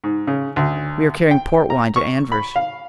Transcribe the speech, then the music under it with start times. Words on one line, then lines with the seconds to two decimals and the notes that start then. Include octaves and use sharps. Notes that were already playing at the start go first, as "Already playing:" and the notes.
"We are carrying port wine to Anvers."
0.04 G#2
0.27 C#3
0.56 D2
1.31 G5
1.70 A#5
1.96 C#6
2.32 B5
2.56 F5